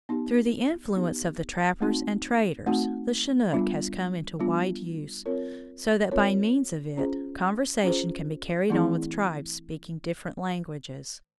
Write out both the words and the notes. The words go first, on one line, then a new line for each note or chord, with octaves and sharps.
Through the influence of the trappers and traders the "Chinook" has come into wide use, so that by means of it conversation can be carried on with tribes speaking different languages.
B3 D#4 G4
B3 D#4 G4
A3 C4 D#4 F#4
A3 C4 D#4 F#4
G3 B3 D4 F4
G3 B3 D4 F4
C4 F4 A#4 C#5
C4 F4 A#4 C#5
C#4 F4 G#4 C5
C#4 F4 G#4 C5
E3 A3 C4 E4 G#4